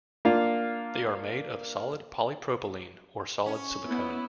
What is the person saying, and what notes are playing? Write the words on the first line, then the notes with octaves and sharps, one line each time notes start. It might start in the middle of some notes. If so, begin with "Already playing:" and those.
They are made of solid polypropylene or solid silicone.
A#3 D4 F4 F5
C#4
B3 E4